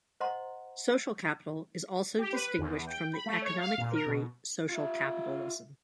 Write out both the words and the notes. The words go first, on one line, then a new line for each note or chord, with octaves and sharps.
Social capital is also distinguished from the economic theory social capitalism.
C5 D#5 F#5 A#5 C6
G4
B4
E2
G5
B5
A3
C#5
F5
A#2
A#4
B2
F4 E5